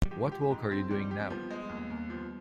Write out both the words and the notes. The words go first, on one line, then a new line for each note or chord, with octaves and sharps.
What work are you doing now?
G3
F3 G#3 G4
G4
G#2
C4
G3
D#4
D4 G4
C4
F3 G3 B3
G#3
D#2
D#2
F3